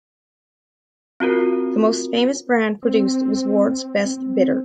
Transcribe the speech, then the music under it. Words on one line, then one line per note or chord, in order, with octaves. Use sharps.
The most famous brand produced was Wards Best Bitter.
C4 F4 F#4 A#4
C4
C4